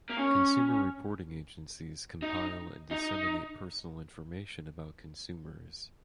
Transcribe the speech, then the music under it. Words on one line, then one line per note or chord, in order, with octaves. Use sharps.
Consumer reporting agencies compile and disseminate personal information about consumers.
A#3
C#4
D#4
D#4